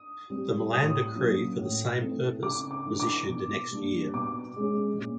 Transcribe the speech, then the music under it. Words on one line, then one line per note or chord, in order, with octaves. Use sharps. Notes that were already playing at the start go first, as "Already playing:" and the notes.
The Milan decree for the same purpose was issued the next year.
Already playing: D#6
G3 C4
A2 D#6
F#3 A#3 C#4
A2
E3 A3 C4
C#3 D6
D6
E3 A3 D4
D6
B2
G3 A#3 D4
B2 D6
G#3 C#4
A#2